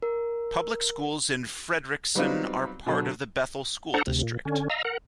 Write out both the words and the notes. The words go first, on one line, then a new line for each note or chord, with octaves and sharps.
Public schools in Frederickson are part of the Bethel School District.
A#4
F#3 G3 B3 C4 D#4 F4
B2 D3 F#3
D4 A4 C5 F#5 A#5
D2 C3
A#2
D3 C#4
D#5 F5 A#5 E6
A#4 F#5